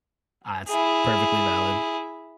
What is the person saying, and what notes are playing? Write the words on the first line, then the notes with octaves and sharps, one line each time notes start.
Ah, that's perfectly valid.
E4 G#4